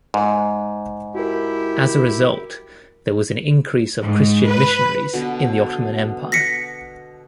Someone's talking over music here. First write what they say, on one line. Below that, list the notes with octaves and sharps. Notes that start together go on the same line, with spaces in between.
As a result, there was an increase of Christian missionaries in the Ottoman Empire.
G#2
E4 F#4 G4 A#4
G#2
B4
B2 D3
A#6 B6 C#7